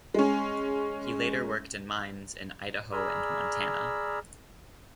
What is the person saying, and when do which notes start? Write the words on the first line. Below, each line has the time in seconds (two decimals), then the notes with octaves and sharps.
He later worked in mines in Idaho and Montana.
0.14 G#3 C#4
2.93 G#4 D5 A#5 B5 E6 F6